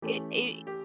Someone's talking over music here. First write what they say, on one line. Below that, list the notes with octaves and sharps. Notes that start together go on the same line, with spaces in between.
It it
E3 A3 C#4 G4
G4